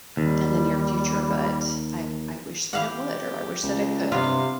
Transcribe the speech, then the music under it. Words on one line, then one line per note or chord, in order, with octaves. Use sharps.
in the near future, but I w I wish that it would, or I wish that it could.
D#2 G3
E3 G4 F5 F#5
C#2
G2 C3 B3 C4 E4 F4 F5